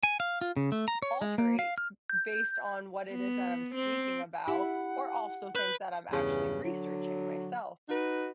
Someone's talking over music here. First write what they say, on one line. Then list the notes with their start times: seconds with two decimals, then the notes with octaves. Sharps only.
d alterate b based on what it is that I'm speaking about, or also, things that I'm actually researching myself,
0.03 G#5
0.20 F5
0.41 F4
0.57 C#3
0.72 A3
0.88 A#5
1.02 C#5
1.22 G#3
1.38 A#3
1.59 F5
1.78 F6
2.10 G6
3.12 B3
3.75 C4
4.48 E4 G4 F#5
5.55 B4 F#6 G6
6.10 E2 G2 C#3
6.63 D3 F#3
7.89 D#4 F#4 B4